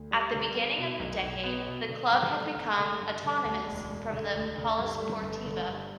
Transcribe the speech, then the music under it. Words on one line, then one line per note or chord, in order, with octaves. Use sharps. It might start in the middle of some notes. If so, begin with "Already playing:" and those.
At the beginning of the decade, the club had become autonomous from the Polisportiva.
Already playing: D2
G3
D3
B3
B2
B1
B1
B3
B2
D3
G2
A3
G1
D3
G2
D3
D2
E1
E1
D3
D2
D3
G2
A3
G1
D3
G2